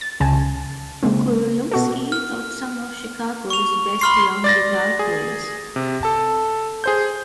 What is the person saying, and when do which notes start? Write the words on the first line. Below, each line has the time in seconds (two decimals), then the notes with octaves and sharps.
Curulewski taught some of Chicago's best young guitar players.
0.01 A6
0.20 C#2 C#3 G#5 A5
1.03 C#3 G#3 A#3 C4
1.71 B2 F#4 A4
2.12 F6
3.50 C#6 F7
4.01 B5 C6 F6 C7
4.44 D5 A6 A#6
4.99 G#4
5.76 C3
6.03 A4 A5
6.84 G#4 C5 G6